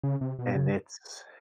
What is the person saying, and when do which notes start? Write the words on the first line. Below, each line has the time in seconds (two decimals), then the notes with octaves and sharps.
and it's
0.03 C#3
0.21 C3
0.39 B2
0.56 C#3